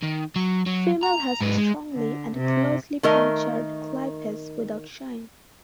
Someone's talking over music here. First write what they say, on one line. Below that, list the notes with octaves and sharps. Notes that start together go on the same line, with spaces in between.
Female has strongly and closely punctured clypeus without shine.
D#3
F#3
F#3
A#5
G#2 B4
G#3
D3
C3
D#3 A3 A#4 D#5